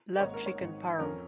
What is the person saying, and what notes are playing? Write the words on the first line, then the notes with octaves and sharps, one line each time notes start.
Love chicken parm.
A#4
G#1 G#2 D#3 A#3 D#4 C#5
A#4
C#5
G#1 G#2 D#3
F2 F3 C#4 A#4